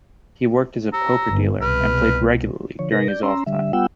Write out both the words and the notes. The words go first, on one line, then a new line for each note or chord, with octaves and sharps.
He worked as a poker dealer and played regularly during his off time.
A#5 E6
G1
C2 B2 B4 F6
D3 F3 C#5
C3 D#4 A#4 B4 A#6
D5 G6
C#4 A#5 C6 E6
D3 G3 E5
G3 B3 F4 F#5 G5 E6